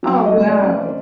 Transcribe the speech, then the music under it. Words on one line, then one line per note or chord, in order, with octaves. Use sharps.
Oh, wow.
F#3
D#5
A3
D5
C#4
C5
C5